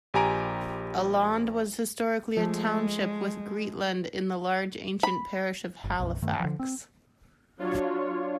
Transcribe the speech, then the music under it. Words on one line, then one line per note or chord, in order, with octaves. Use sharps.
Elland was historically a township, with Greetland, in the large ancient parish of Halifax.
A#1 G4 G#5 A#5 D7
F3 G#3 A3 G#4
B5
G1
B1 F#2
G2 D#3 A3
D3 F3
C4
F#3 D4 F4 C#5